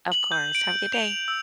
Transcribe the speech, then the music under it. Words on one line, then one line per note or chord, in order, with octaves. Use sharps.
Of course. Have a good day.
F#7
G6
D7
F7
E6